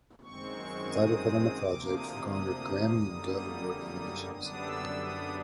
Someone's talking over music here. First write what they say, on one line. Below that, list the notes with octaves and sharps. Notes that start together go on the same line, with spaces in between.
The title cut on the project garnered Grammy and Dove Award nominations.
F#2 D#3 G#3 C4 C#6
D#6
D2 C3 F3 A#3 D6
D#6
D#6
F#2 D3 G3 A#3
F#2 D3 G3 B3 D4 D#6
E6
D#6